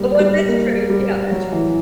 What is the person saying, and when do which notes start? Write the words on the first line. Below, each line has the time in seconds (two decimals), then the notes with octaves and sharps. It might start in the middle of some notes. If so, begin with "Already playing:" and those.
Oh well, that's true, yeah, that's tr
Already playing: G3 A#3
0.20 G3
0.48 A#3
0.90 G3
1.31 F#3
1.52 E3